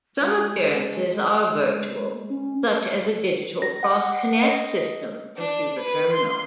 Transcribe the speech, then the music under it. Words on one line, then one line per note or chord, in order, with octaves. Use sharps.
Some appearances are virtual, such as a Digital cross connect system computer terminal.
G#3
C#4
A#6
F#5
D#5
D4
B4
C6